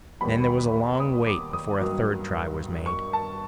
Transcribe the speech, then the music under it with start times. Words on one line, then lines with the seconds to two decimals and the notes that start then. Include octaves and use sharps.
Then there was a long wait before a third try was made.
0.21 D#2 D#3 G3 B3 B5
1.00 D#6
1.27 D6
1.53 D#6
1.80 G2 D#3 F#3 A#3
2.86 C#6
3.13 A5